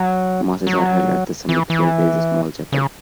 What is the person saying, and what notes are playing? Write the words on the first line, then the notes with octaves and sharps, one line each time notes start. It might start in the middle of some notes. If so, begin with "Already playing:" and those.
Masses are held at the summit, where there is a small chapel.
Already playing: F#3
F#3
E3
E3
C#3